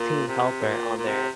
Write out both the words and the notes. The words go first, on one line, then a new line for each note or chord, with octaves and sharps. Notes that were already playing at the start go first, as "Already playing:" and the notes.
team helper on there.
Already playing: A#2
C3
A#2
A#2
C3